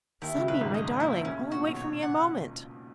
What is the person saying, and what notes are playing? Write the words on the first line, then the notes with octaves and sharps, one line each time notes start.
'Sunbeam, my darling--only wait for me a moment.'
D#2 D#3 E4
C#2 C#3
B1 B2 B4
G#1 G#2
D#5
A#1 A#2 E4
C#3 C#4
B2
A#2 F#4
B1 B2
C#5
F#5